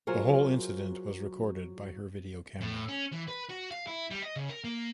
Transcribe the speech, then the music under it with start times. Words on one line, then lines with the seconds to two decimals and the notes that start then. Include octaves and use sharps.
The whole incident was recorded by her video camera.
0.07 F#3 F4 G#4 A#4 C5 C#5
2.61 A2
2.88 C#4
3.12 E3
3.28 B4
3.49 F#4
3.71 F5
3.87 E4
4.11 G3
4.22 D#5
4.36 C#3
4.49 A#4
4.64 A#3